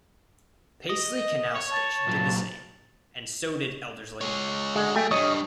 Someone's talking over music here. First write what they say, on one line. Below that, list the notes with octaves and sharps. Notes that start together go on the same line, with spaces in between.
Paisley Canal station did the same; and so did Elderslie.
D#5
C#5
A5
A#2 F#3
G#3 C#5
D3 G#3 F#4
F#3 A3 G5 G#5
E2 G2 C#5 D#5